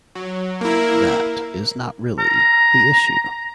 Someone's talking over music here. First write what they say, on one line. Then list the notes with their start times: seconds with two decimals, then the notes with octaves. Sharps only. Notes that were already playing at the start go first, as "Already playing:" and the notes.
That is not really the issue.
0.15 F#3
0.61 A#3 E4 A#4
2.19 A#5